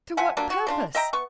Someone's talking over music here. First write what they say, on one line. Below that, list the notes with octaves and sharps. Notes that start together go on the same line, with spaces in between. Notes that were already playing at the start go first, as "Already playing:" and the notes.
'To what purpose?
F3 E5 F#5 G#5
F#3 G3 A#3 D4
F#4
C#3 D4 F4
D#5 E5 G5 A#5
B3 C#6